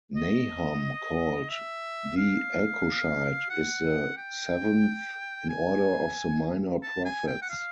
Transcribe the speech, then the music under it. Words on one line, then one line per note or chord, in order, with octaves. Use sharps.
Nahum, called "the Elkoshite", is the seventh in order of the minor prophets.
D#5
E5
F5
F#5
G5
G#5
A5
G#5
G5
F#5
F5